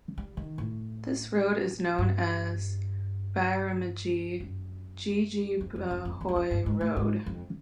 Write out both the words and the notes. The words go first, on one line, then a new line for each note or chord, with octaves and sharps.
This road is known as Byramjee Jeejeebhoy Road.
G3
D#3
A2
G2
F#2
F2
F2
F2
F2
E2
F#2
F2
G2
G#2
A2
G#2
F2